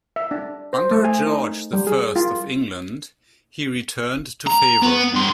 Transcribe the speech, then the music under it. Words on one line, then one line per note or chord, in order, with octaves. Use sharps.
Under George the First of England, he returned to favour.
E5
D4
C5
A3
G#5
D#4
G3
G#4
F4
A#5
B3
G2 C6